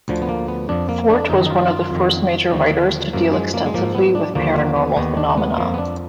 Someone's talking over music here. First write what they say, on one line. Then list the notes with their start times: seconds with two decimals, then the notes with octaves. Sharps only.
Fort was one of the first major writers to deal extensively with paranormal phenomena.
0.08 D2 D3 F3
0.22 B3
0.29 A#3
0.48 B3
0.69 F2 F3 D4
0.89 A#3
1.10 D4
1.30 F#2 D#3 D#4
1.46 D#4
1.50 F4
1.71 F4
1.91 F2 D#3
2.52 D#2 D3 F3
3.13 F#2 F3 A#3
3.33 G#3
3.54 A#3
3.66 G#3
3.74 G#2 F3 A#3
3.95 B3
4.15 D4
4.35 D#2 D3 F3 A#3
4.56 A#3
4.76 B3
4.96 D#2 D#3 B3
5.17 D4
5.30 D4
5.38 B3
5.58 F2 F3 A#3
5.74 B3
5.78 D4